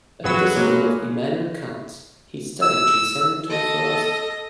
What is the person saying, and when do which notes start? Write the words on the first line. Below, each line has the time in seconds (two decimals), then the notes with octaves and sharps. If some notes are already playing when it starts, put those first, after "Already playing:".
A disciple of Immanuel Kant, he studied transcendental philosophy.
0.24 G#1 F2 F#3 G#4 B4 C#5 E6
0.56 G#3 A#3
2.62 E6
3.50 A4 D#5